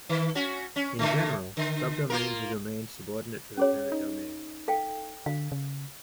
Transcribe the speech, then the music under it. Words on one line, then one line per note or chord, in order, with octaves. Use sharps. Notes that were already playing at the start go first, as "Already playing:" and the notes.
In general, subdomains are domains subordinate to their parent domain.
D#3
C#4 F#4
C#4
A#2 D3 A3
D3
A#3 F4 A#4
C#4 G#4 C#5
D#4
A4 F5 G5
D3 F5
C#3